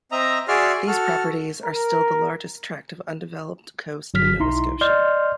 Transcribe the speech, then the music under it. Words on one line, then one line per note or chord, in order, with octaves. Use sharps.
These properties are still the largest tract of undeveloped coast in Nova Scotia.
C4 D#5 E5 A#5
F#4 G#4 D5 E5 C6 F6
F#4 A4 F6
A#4
G1 F#3 F6 B6
B1 D#4 E4 A#5 C6
D5 D#5 C6 F6 G6